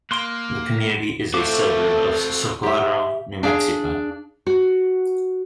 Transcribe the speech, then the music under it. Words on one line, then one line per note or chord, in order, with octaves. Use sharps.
The community is a suburb of Socorro, New Mexico.
A#3 C6 F#6
A3 C4 F#4 A4 C5 F5 D6
G4 E5
D4 G#4 F5
F#4